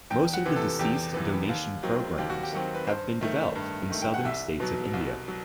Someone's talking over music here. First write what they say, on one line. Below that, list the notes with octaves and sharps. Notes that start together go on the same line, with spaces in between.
Most of the deceased donation programmes have been developed in southern states of India.
E2 G5
F#5
C3 E3 B3
A4
E2 G4
C3 E3 B3
D#2
D#3 F#3 C4
D#2 G4
F#4
G4
D#3 F#3 C4
B4
G2 C5
D#3 A3
G2
D#3 A3
G5
F#5
C2 E5
B2 F#3
C2
F#3